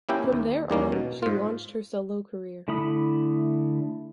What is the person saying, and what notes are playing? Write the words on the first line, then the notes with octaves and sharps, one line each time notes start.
From there on, she launched her solo career.
A#3 C#4 E4 G4 G5
D#2
E2 D#3 A#3 C#4
B2
G#2 F4
D3 A3 E4 B5 D#6